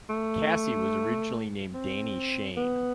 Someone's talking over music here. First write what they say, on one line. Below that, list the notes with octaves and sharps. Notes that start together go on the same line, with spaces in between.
Cassie was originally named "Danni Shayne".
A3
C4
B3